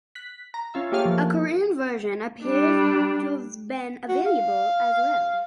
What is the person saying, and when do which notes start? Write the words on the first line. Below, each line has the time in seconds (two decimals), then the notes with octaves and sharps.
A Korean version appears to have been available as well.
0.15 F#6 B6
0.54 A#5
0.74 C#4 F4 E5
0.92 A3 A#3 G4 G#4 C#5 F5
1.05 F3 A#3
2.44 G3 D4
4.08 F#4
4.26 F5